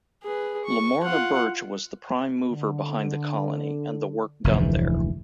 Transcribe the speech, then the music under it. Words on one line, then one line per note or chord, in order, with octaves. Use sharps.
Lamorna Birch was the prime mover behind the colony and the work done there.
G#4 B4
C#6
F4 F#5
D3
F1 D2 G#2 E3